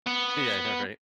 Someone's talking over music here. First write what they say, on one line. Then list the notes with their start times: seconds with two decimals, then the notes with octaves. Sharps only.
Yeah, I know, right?
0.06 B3